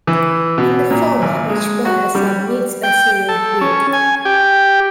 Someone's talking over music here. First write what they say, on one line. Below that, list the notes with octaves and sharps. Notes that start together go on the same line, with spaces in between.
In the former each buyer submits a sealed bid.
E3
B2
A#2
G#1
G#3
F#4
G3
G5
A4
C#4
G#5
G4